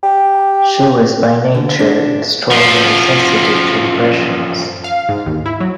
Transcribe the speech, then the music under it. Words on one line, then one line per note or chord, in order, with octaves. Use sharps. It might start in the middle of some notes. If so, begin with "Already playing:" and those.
She was by nature extraordinarily sensitive to impressions.
G4
D3
D4
F#2 F3
F5
G#2
D#2
E4
F#3